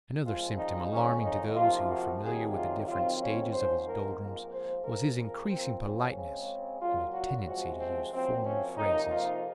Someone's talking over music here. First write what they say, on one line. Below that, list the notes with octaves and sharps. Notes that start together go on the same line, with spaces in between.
Another symptom alarming to those who were familiar with the different stages of his doldrums was his increasing politeness and a tendency to use formal phrases.
A#2 F3 G#3 C4 F4
D#4
F2 D#3 G#3 C#4
D#4
C3 F3 A#3 F4
F#4
C3 D#3 F#3 C4 G#4
F4
F2 D#3 F#3 C4 F4
C#4
G#2 F3 C4 C5
A#4
G#2 F3 A#3
C5
A#2 F3 G#3 C4 A#4
A#4
A#2 F3 A#3 C4
C#4
C#3 G#3 C4
A#2 F#3 A#3 F4
F#4
C3 F3 G#3 C4 F#4
C4
F#2 F3 A#3 C4
C#4
F2 C3 F3 A#3 D#4
F4